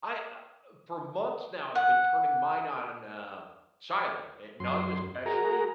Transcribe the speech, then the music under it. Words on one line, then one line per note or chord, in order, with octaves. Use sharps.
I, uh uh, for months now, I've been turning mine on, uh, silent, at night especially,
F#5
F#2 C6
F#4 G#4 A#4 A#5